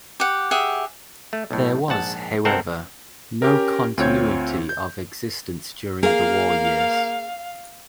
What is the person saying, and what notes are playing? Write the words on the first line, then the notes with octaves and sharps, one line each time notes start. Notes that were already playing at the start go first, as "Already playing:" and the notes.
There was, however, no continuity of existence during the war years.
G4 F#5
G4 G#4 E5 F#5
A3
B1 A2
A#1 G#2 F#5 A5
C2 C4 A4 A#4 F#5
C#4 G4 A#4
D2 C4 F4 C#5 G6 G#6
G6
A#3 G#4 F5